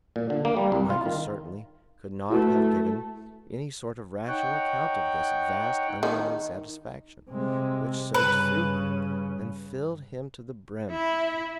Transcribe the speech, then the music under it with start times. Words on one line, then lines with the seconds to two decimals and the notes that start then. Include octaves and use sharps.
Michael certainly could not have given any sort of rational account of this vast unmeaning satisfaction which soaked through him and filled him to the brim.
0.16 A#2
0.30 D3
0.45 A#3
0.57 G3
0.72 C2
0.90 F4
1.06 D#3
2.30 A3 E4 F#4 B4
4.27 D#4 C#5 F#5 G5
6.03 D#3
7.30 C3 G#3
8.14 G2 C#3 B4
10.91 E4